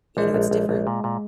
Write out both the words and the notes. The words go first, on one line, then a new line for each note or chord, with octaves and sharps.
you know, it's different
A#1 G#3
A#1
A#1
A#1
A#2
A#2